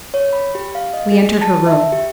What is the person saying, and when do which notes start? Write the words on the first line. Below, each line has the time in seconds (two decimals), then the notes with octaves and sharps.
We entered her room.
0.14 C#5
0.33 B5
0.55 G4
0.75 F5
0.94 D#5
1.12 G#4
1.42 A5
1.67 E5
1.92 G4